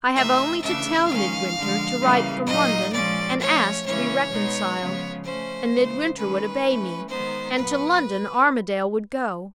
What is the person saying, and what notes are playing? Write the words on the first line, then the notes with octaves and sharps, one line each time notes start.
I have only to tell Midwinter to write from London, and ask to be reconciled; and Midwinter would obey me--and to London Armadale would go.
C3 E3 A3 C4 D#4 E5
C#3 E3 A3 D4 E5
D#3 G#3 C#4 F5
D3 F3 G#3
C#3 E3 G3 A#3
A#2 F#3 A#3 D#4 D#5
A#2 F3 G#3 C#4 D5
F3 A3 C#4 C#5
C#3 E3 G#3 C#4 C#5
B2 G#3 B3 D#4
C#3 F3 G#3 B3
F3 A3 C#4 C5
C#3 E3 G#3
D#3 G#3 C#4 B4
E3 A3 C#4
D#3 G#3 B3 D#4 C5
A#2 F#3 B3 B4